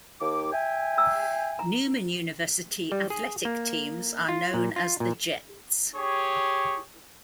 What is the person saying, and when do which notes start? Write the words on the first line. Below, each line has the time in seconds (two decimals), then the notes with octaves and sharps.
Newman University athletic teams are known as the Jets.
0.21 D#2 D6
0.52 E5 G5 G#5
0.98 A#5 E6
1.59 A#5
2.92 G3
3.10 G#4
3.45 A#3
4.29 F4
4.54 A#2
4.76 F4
5.00 A#2
5.96 G4 G#4 C#5